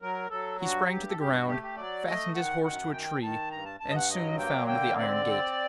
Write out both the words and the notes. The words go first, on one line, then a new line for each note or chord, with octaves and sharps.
He sprang to the ground, fastened his horse to a tree, and soon found the iron gate.
F#3 A#4
F#3 A4
G2 F#4
G2 G4
A4
G2 G4
F#4
A3 G4
G4
F#3 D5
A3 D#5
D#3 F#5
F#2 F#5
D#3 G5
D#3 A5
G2 A#5
A5
G2 A5
D#5
F#5
F#3 D#5
A#3 G5
D3 G5
C4 D5
C4